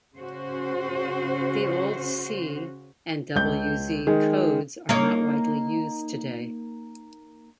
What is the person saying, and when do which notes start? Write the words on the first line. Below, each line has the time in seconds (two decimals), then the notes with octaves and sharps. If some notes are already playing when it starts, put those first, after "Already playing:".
The old C and W Z Codes are not widely used today.
0.15 C#3 C#4 F#4 C5
3.35 C#2 G6
4.07 D#3 G#3
4.89 A#3 D#4 C#5